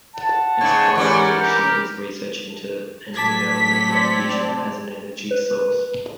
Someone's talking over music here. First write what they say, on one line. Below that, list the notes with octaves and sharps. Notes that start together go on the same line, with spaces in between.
Its primary mission is research into and development of fusion as an energy source.
F#5 A5
G#2 C#3 C#5
E3 G3 C#4 A#4 D5 F#5
G4 A#4
A2 F#3 A3 A5 D6 G#6 B6
C4 D5
B4